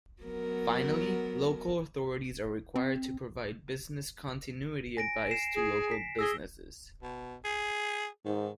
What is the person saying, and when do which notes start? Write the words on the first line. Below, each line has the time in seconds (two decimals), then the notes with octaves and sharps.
Finally, local authorities are required to provide business continuity advice to local businesses.
0.22 F#3 B3 A#4
2.76 C4
4.97 G#5 A#6 D7
5.31 C7 E7
5.54 G#4
5.91 B6
6.19 G#4 E6 A#6 G7
7.03 B2
7.44 G#4
8.25 G#2 D#3